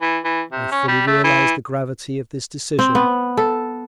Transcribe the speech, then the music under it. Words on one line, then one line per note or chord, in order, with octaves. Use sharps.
I fully realise the gravity of this decision.
E3
E3
C3
C#4
G3
A3
E3
C4
B3
A4